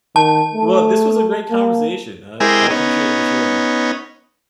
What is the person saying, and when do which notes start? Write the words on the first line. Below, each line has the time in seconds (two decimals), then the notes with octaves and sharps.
Well, this was a great conversation, uh, I appreciate you sharing.
0.16 D#3 A5
0.54 A3
1.50 A#3
2.40 G#3 C4 E4 G4 G#4 A#4
2.70 B3 C#4 D#4